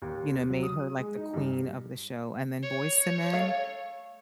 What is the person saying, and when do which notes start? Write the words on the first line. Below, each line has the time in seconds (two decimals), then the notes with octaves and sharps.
you know, made her like the queen of the show, and then Boyz II Men,
0.02 D#2
0.50 F#3
0.63 D#6
0.98 G#3
1.16 D#4
1.34 G2
2.63 C#5
3.33 A3 F5